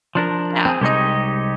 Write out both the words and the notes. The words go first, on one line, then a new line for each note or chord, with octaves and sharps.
Yeah, like
F3 D4 A#4
C4 G#4
C2 G#3 D#4 G4 C#5 D#5